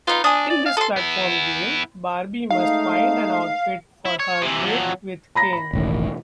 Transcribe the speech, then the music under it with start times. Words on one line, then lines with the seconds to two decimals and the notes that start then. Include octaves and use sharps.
In this platform game, Barbie must find an outfit for her date with Ken.
0.07 B3 D#4 F4
0.24 D4 G#5 D#6
0.50 D5
0.66 F5
0.77 A4 C6 D#6
0.96 B3 E4
2.50 G#3 A3 D#4 F5
4.05 E4
4.20 C#5
4.42 C3 E3
4.64 F2 F#3
5.35 A#5 B5 A#6
5.53 B5
5.73 E1 A1 D#3